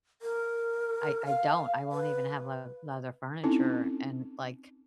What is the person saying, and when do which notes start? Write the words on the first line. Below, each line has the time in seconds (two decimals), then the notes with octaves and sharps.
I I don't I won't even have le leather furniture and like,
0.22 A#4
1.26 F5
1.92 B4
3.43 C4 C#4 D#4 E4 A4